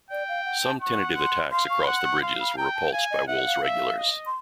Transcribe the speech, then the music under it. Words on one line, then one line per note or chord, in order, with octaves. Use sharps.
Some tentative attacks across the bridges were repulsed by Wool's regulars.
D5 G5
F5
F#5
A5
F#5 C#6
C6
F5 C6
C#6
B5
F#5 C6
C#6
F5 C6
B5
G5 A#5
A5
F5 G#5
D#5
E5 F#5
F5
E5
D#5
C6